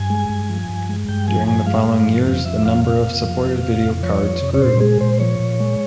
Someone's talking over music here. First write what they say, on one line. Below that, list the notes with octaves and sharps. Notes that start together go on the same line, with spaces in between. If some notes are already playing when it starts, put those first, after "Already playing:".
During the following years the number of supported video cards grew.
Already playing: G2 G#5
G#3
G2
F3
G2
G#3
G2 G5
F3 G#5
G2 G#5
G#3 F5
G2
F3
F2 F5
F3 E5
F2 F5
C3 F5
F2
F3
F2
C3
F2
F3 C#5
F2
C3
C#5
A#2 C5
G#3 G#4
A#2 C5
F3 C#5
A#2
G#3